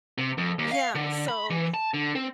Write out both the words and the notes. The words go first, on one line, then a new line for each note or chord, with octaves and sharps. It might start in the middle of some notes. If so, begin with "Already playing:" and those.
Yeah, so,
C3
F2
D#2
F5
D3
B5
E3
A5
D3
C4